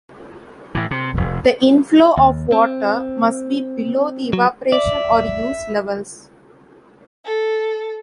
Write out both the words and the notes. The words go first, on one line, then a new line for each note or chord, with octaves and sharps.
The inflow of water must be below the evaporation or use levels.
A2 E3
C3
F1
D#2
C4
F#3
D5 E5
A4